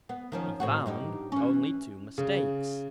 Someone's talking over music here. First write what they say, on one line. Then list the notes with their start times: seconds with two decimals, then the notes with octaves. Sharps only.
He found only two mistakes.
0.09 B3
0.32 D#3 F3 C#4
0.60 A2 C4 F#4
0.86 G2 D#4 G4
1.32 E3 C#4
2.18 C#3